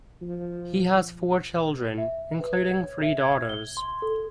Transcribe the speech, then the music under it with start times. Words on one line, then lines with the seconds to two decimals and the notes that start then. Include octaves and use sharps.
He has four children, including three daughters.
0.22 F3
1.98 E5
2.41 B4
2.53 G#6
2.81 C#5
3.02 E5
3.21 G#6
3.49 G7
3.77 C6
4.02 A4